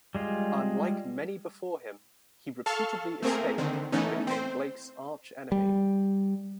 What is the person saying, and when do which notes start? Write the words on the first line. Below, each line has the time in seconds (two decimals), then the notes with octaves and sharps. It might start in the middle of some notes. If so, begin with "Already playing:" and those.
Unlike many before him, he repeatedly escaped and became Blake's arch-enemy.
0.15 G3 G#3 F4
2.66 A4 F5 A5 C#6 F6
3.23 A3 A#3 C4 G#4 A#4
3.58 D3 D#3 C4
3.92 E3 A3 B3 C#4 D#4
4.27 C4 C5
5.52 G3